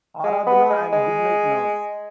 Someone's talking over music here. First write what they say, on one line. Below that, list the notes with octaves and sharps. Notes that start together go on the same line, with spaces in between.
Aaradhna and Goodnight Nurse.
G#3
B3
G#3
G#3